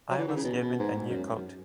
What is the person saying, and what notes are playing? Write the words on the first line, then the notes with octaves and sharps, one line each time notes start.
I was given a new coat.
F#3
E3
D#3
C#3
B2
B2
G#2
G#2
F#2
F#2